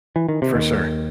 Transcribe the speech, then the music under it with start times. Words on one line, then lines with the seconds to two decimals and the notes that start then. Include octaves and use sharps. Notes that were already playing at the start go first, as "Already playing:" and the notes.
For sure.
0.16 E3
0.29 D#3
0.42 C3
0.54 D#2 D#3